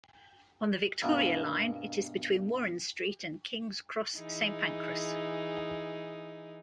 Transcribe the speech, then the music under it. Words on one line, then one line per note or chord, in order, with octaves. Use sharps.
On the Victoria line it is between Warren Street and King's Cross Saint Pancras.
G2 B2 G#3 A#3 E4
E3 D#4 G#4